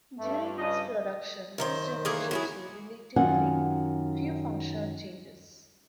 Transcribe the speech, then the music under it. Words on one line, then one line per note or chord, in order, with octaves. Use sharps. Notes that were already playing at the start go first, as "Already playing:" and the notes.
During its production, this generation saw relatively few functional changes.
G2 A3
C#3 D4 D#5
F#2 D#3 C5
E3 A#3 G#4
F#3 E4 G#4
F#2 D#3 F4 F#5 G#5